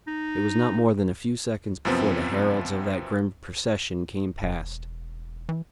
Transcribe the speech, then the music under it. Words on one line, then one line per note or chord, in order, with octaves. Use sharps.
It was not more than a few seconds before the heralds of that grim procession came past.
D#4
F#2 C3 F3 B3 C4
E1
E3